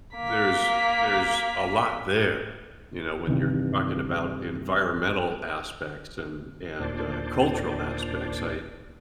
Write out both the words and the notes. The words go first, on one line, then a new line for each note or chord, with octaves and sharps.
there's there's a lot there, you know, when you're talking about environmental aspects and and, uh, cultural aspects. I
A#3 B6
G2 C3 D#3 E3
D#2 A#2 D4 C5 D5